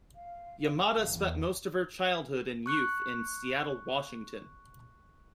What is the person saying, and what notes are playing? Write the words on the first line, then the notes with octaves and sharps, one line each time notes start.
Yamada spent most of her childhood and youth in Seattle, Washington.
F5
G1
E2
C#6 F#6 C#7